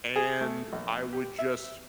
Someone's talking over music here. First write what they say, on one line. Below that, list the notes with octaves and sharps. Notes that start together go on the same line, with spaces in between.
and I would just
G#4
A3
A#1
G4
E5